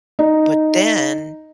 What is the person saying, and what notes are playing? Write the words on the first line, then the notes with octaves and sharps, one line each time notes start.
but then
D#4